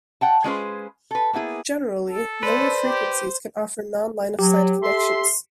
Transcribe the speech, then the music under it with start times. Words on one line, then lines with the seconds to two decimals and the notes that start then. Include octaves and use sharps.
Generally, lower frequencies can offer non-Line-of Sight connections.
0.21 F#5 G5 A5
0.44 G#3 C#4 F4 G#4 B4 C5
1.11 A4 B4
1.33 A#3 B3 E4 G#4
2.08 A4
2.43 B4 C5 D5
2.83 G4
4.39 F#3 G4
4.82 A4 E5 C6